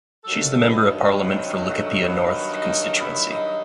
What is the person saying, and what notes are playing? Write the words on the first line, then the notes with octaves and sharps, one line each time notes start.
She is the member of parliament for Laikipia North constituency.
G2 D#3 F#3 A4
B3
C4
A3
B3
D#4
E4
D#4